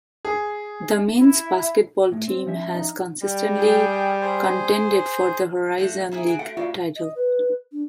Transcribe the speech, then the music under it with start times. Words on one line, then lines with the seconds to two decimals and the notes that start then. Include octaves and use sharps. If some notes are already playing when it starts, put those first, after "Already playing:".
The men's basketball team has consistently contended for the Horizon League title.
0.25 G#4
1.17 E4
2.12 A2
2.28 C4
2.46 F3 C#4 E5
2.74 D#4
3.23 G3
3.58 G#4 G5
4.21 G#4 C5
5.78 F3 A3 F#4
6.11 A#3 E4 G#4
6.26 F#4 G#4 D7
6.39 A3 F#4 F#5
6.57 A2 F4 F#4 D5 F5
6.96 D#5
7.16 B4
7.72 D4